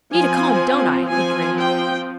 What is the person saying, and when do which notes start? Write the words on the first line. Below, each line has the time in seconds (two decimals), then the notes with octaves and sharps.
"Need a comb, don't I?" he grinned.
0.14 F3 C4 G#5
1.10 F3 C4 G#5
1.58 G5